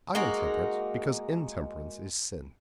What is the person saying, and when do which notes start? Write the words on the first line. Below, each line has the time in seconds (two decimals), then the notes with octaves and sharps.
I am temperate because intemperance is sin.
0.15 G#3 A#3 D#4 F#4